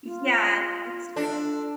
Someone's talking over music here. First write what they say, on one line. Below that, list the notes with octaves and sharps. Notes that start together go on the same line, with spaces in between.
Yeah, that's true.
F4
D4 A4